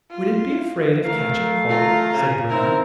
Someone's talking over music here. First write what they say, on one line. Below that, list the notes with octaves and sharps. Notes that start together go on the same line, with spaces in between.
"Would it be afraid of catching cold?" said Bruno.
F4
A3 A#4 F5
F4 A#5
C#3
C4 D#4 E4 A#4